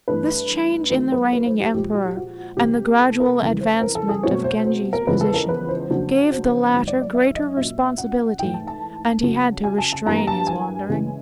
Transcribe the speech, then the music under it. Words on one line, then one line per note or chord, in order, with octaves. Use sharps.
This change in the reigning Emperor, and the gradual advancement of Genji's position, gave the latter greater responsibility, and he had to restrain his wandering.
G2 E3 A3 D4 B4
F#2 D#3 F#3 A3 C5
B4
B4
C5
G4
A#2 F3 G#3 G4
F#4
G4
F#4
C3 E3 G#3 C4 G4
A4
A#4
F2 C#3 E3
C5
A#4
A4
G#4
B2 F#3 A3 C4 C#5
C5
C5
A#4
E2 C#3 F3 G#3 B3 B4
A4
A#4
B4
C5
F2 C#3 F#3 A#3 D4
C5
F#2 D#3 G#3
D5
D5
E5
D#5
A#2 F#3 A#3 C#4 E5
F#5
G#2 E3 A3 G5
A5
A5
C#3 F#3 A#3
G#5
A5
A5
G2 E3 G3 A#3 A#5
A5
G#5
C#3 E3 G#3